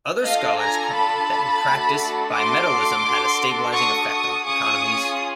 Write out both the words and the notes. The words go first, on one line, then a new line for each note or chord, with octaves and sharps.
Other scholars claimed that in practice bimetallism had a stabilizing effect on economies.
D4 F4 A4 D#5 F5
G#5 A#5
A5 B5
A3 D4 F#4 A4
C6 D6
D4 F#4 A4
C#6 D#6
C#6 D#6
C#4 F4 G#4 C#6 D#6